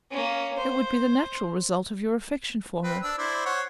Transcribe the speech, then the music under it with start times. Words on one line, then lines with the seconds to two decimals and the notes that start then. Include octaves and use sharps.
It would be the natural result of your affection for her.
0.11 A#3 C#4
0.57 C5
2.84 C4 B4
3.02 D4 E6
3.18 E4 C5 D5
3.46 C5 C#5 F#5